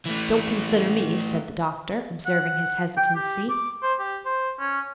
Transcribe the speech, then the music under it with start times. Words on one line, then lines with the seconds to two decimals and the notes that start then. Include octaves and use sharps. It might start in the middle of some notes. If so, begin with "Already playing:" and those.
"Don't consider me," said the doctor, observing his hesitancy.
0.06 E3 A3
2.26 F#5
2.97 G5
3.15 G4
3.49 D6
3.82 C5
3.99 G4
4.25 C5
4.60 C#4